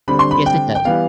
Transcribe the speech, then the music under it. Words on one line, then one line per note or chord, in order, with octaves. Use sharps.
Yes, it does.
D3 G3 C4 B5
C6
B5
G5
G5
E3 G3 B3 F5